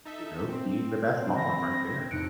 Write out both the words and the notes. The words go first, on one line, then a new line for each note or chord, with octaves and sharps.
you know, being the best mom right there.
D#4 A4 E5
C4
B5 A#6
F2 A2 C3 D#4 F#6 C#7 D7